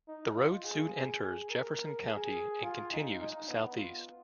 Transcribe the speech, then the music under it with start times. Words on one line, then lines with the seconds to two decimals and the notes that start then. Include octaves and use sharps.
The road soon enters Jefferson County and continues southeast.
0.08 D#4
0.37 F4
0.65 G#4
0.94 G#4
1.22 G#4
1.50 A#4
2.07 G#4
2.64 F4
2.92 D#4
3.20 D#4
3.49 B3
3.77 F4